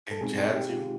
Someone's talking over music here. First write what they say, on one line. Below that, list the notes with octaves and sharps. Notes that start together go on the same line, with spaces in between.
And jabs you.
A4
B2 G#3 C4 D#4 G#4
G4
F4